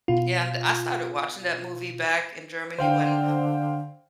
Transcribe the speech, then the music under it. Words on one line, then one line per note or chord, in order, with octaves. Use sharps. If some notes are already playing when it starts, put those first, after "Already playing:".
Yeah, and I started watching that movie back in Germany when,
B2 F4
D3 C5 F5 G5